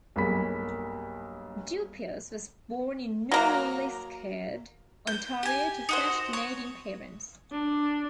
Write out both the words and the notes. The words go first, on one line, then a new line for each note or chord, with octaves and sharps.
Dupuis was born in New Liskeard, Ontario to French-Canadian parents.
B1 G2 A#3 G#4 B5 B6
F#3 A#3 A#5
G6
G4 G#5
D#4 F#4 C5
C#5
D4